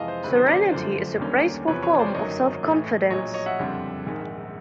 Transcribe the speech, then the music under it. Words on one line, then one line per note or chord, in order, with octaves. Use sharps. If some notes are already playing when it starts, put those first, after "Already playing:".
Serenity is a graceful form of self-confidence.
Already playing: F2 C3 E3 G#3 D#5 F5 A5
C5
D2 C3 D#3 F#3 B4
C5
C5 D5
G1 F#2 D3 F3 A3 C5
D#2 D3 G3 A#3 C#4
E2 C3 F3 B4 C#5
B4 C#5
C5 D5
G1 F#2 D#3 F#3 A#3 C#5 D#5
A1 A2 E3 A3
A#1 A#2 F#3 C#5 D#5
C#5 D#5
E5 F#5
F#1 F2 D3 G3 C4
A#1 G#2 D#3